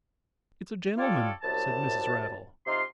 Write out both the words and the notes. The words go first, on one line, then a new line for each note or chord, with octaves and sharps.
'It's a gentleman,' said Mrs. Raddle.
F4 G4 A4 C#5 D5
C2 F#2 A5
C3 D#4 F4 C6